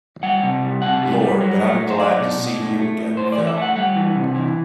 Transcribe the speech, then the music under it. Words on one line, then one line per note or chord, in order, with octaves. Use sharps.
Lord, but I'm glad to see you again, Phil.
G3 F#5
C3
G3
C3 F#5
G3
G3
F#3
A3
F#3
C5
F#3 D5
B2
B2
A2
A3
A2
A2 C5
D5
E3
E5
A3
F#5
G3 F#5
E3
C3
E3